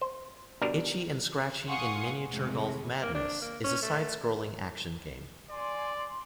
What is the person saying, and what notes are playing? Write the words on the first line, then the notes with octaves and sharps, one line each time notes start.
"Itchy and Scratchy in Miniature Golf Madness" is a side-scrolling action game.
C5
B2 D3 G3 D4 A#4 A#5
F5 F#5 G#5 C6 C#6 D#6
F2 A2 C3 D#3 G#3
A#3
D4
A#3
C#4
A3
D5 G#5 C6
C6